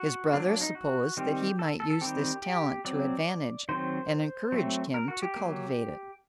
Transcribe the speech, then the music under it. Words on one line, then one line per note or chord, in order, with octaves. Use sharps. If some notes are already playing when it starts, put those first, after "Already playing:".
His brother supposed that he might use this talent to advantage, and encouraged him to cultivate it.
Already playing: F#4
F#3 A#3 D4
D4
D#4
F#4
D#3 G3 C4 G4
A4
A4
A4
D#3 G3 C4 G4
G4
F#3 C4 D5
D#3 F#3 C4 C5
F#3 A3 C4
A#4
F#4
G4
F#3 A#3